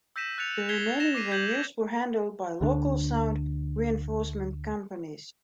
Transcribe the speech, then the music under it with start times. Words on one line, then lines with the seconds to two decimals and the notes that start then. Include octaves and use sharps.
The remaining venues were handled by local sound reinforcement companies.
0.16 E6 G6 A#6 B6 D#7 E7
0.38 F#6 A6 C#7 F7
0.69 G#6 B6 C7 F7 G7
1.00 A#6 E7 F7
1.15 D6 A#6 C7 D#7
1.32 G6 G#6 B6 C7 F7 F#7
2.61 D2 D3 D4